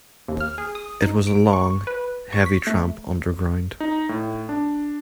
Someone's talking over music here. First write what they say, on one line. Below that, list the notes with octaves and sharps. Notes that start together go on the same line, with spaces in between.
It was a long, heavy tramp underground.
D#2
F6
G#4
D#6
D#4
D7
C#6
B4
C#6
B6
A3
D#4
A2
D4